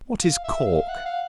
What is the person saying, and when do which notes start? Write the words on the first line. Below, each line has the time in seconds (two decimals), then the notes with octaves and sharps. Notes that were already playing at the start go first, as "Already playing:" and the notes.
What is Cork?
0.22 F5
0.44 E5
0.66 F5
0.89 F#5
1.05 F5